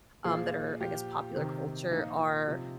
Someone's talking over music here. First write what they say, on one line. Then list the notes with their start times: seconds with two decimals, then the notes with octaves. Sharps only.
um, that are, I guess, popular culture are
0.24 A#2 F3 G#4
0.80 A#2 F3 G4
1.36 C3 D#3
1.91 A#2 F3 D#4
2.47 C3 F3